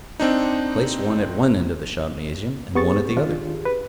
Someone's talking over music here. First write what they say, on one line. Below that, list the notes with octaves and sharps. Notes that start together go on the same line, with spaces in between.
Place one at one end of the shopnasium and one at the other.
C4 D4 D#4
B3 G4 G#4 C#6 A6
D#3 D4 F4
B4